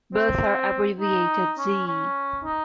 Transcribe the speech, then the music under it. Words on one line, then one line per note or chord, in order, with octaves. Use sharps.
Both are abbreviated Z.
C4
D#4
C#4
C#4
D#4